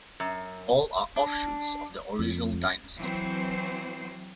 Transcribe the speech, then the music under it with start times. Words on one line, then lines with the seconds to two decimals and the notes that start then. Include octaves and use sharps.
All are offshoots of the original dynasty.
0.20 F#2
1.16 D4
2.19 F2
2.99 E3 F#3 C4 C5